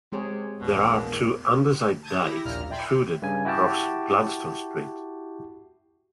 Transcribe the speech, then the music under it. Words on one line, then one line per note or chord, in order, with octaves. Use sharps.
There are two andesite dykes intruded across Gladstone Street.
C3 G#3 G#4 C#5
A#1 E2 B2 A#3
A5 D#6 G6 G#6
E4 G4 A#6
A#1 D#2 A#2 A#5 F6
D5 E5 G5 G#5 B5 C6
G2 C#3 G#5
E4 F#4 G4 G5 A5